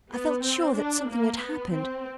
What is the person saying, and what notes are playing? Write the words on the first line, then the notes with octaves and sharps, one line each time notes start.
I felt sure that something had happened.
B3
C4
D4
A#3
B3
C4